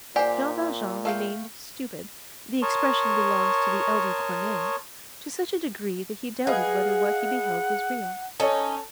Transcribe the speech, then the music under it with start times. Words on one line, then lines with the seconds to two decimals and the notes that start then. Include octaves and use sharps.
Jean Valjean "remained stupid"--the expression belongs to the elder Corneille--to such a degree that he doubted whether what he beheld was real.
0.16 A#2 G4 C5 D5 F#5 G#5
1.05 A3 F5 G5
2.62 A#4 C#5 A5 C6 C#6 D#6
6.47 G#4 B4 D#5 F5 F#5
8.40 C#4 D#4 A4 C#5